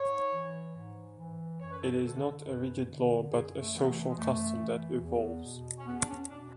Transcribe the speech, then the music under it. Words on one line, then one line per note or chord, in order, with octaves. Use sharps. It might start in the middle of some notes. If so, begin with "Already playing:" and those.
It is not a rigid law but a social custom that evolves.
Already playing: G#2 C#5
E3
G#2
E3
F#2 C#5
B4
A4
B4
D3 A4
F#2 B4
D3
F#2 G#4
A3
E3 B3
A3
G#3
F#2 A3
E3
E2
B2
C#4
E2 B3
D4
C#4
B2 D4